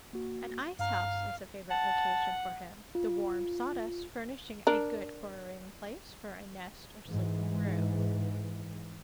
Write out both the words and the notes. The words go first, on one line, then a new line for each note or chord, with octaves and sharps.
An ice-house is a favorite location for him, the warm sawdust furnishing a good burrowing place for a nest or sleeping room.
A#3 F#4
G2 F5 A#5
F#5 A5
F4
D4 A#4
G#2 E3